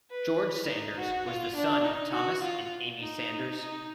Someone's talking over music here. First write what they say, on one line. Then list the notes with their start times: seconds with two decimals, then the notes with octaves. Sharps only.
George Sanders was the son of Thomas and Amy Sanders.
0.11 B4
0.69 D#4
0.98 F#4
1.27 F4
1.57 D4
1.84 D#4
2.14 F#4
2.43 F4
3.00 D#4
3.58 D#4